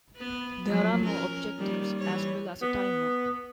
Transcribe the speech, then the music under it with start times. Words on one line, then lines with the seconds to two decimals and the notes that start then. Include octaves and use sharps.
There are no objectives, as well as a timer.
0.16 B3
0.65 F3 F#3 A3
1.03 C#4 A#4
1.57 D#3 G3 A#3
1.99 E3 G3 C#5
2.62 B3